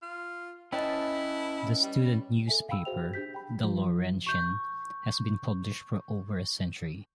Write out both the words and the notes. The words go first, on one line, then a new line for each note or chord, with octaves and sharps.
The student newspaper, "The Lawrentian", has been published for over a century.
F4
C#4 E4 B4 D#5 G5 A5
G3
A4 E5 G#5
F5 G5 B5 E6
F#4 G#4 C5 E5 G5 F7
D4 G4 G6 B6
G5 B5
F3
C#6 G6